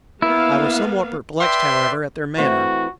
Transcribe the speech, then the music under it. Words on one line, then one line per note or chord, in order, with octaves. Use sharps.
I was somewhat perplexed, however, at their manner.
A#3 B3 E4 F5
B4 D5 E5 G5 C6
E3 A3 C4 F#4